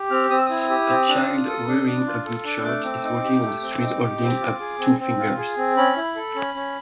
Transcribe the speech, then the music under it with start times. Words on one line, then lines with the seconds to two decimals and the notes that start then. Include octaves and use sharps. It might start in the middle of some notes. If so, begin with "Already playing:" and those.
A child wearing a blue shirt is walking on the street holding up two fingers.
Already playing: G4
0.11 C4 F6
0.30 C4 D#6
0.38 E6
0.46 E4 D#6
0.70 G4
0.89 C4
1.09 D4
1.28 F4
1.47 A4
1.67 D4
1.86 D4
2.06 F4
2.26 A4
2.45 D4
2.65 A3 D6
2.84 C4
3.04 D#4
3.24 G4
3.42 A3
3.62 C4
3.81 D#4
4.01 G4
4.21 C4
4.40 F4
4.60 G#4
4.79 C4
4.99 C4
5.18 F4
5.38 G#4
5.58 C4
5.77 C#4 B5
5.97 E4
6.16 A4
6.35 C#4
6.55 C#4